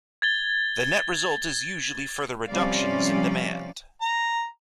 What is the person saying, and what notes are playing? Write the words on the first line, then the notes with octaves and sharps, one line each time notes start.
The net result is usually further reductions in demand.
G#6 A6 G7
C3 F3 G3 C#4 D5 F5
A#5